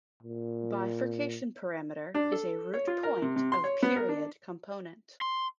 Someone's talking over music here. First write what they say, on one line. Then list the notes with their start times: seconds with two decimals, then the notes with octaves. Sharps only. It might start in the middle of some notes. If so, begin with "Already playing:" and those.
Bifurcation parameter is a root point of period- component.
0.23 A#2
2.14 D4
2.32 A4
2.74 C#5
2.87 F4
3.03 A#4
3.22 C3
3.36 C3
3.52 C6
3.64 C#5
3.83 B3
3.96 A#4
4.09 D4
5.21 C6